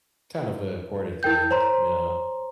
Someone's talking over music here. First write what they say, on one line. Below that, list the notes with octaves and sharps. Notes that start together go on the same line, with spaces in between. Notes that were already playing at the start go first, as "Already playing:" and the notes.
kind of a important thing. You know?
E4 A#4 G5 G6
C5 C#5 A#5 C6